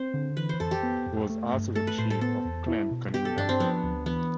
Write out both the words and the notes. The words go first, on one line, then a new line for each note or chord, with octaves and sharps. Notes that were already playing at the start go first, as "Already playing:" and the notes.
He was also the chief of Clan Cunningham.
Already playing: C4 C5
D3
E3 B4
C5
F2 A4
G4
B3
F2
A3
G2
A3 A4
B4
A2 C5
A4
B3 A4
E2
E4
B2
B3 G4
A4
G2 D4
C4
F3 B3
D2
E3 B3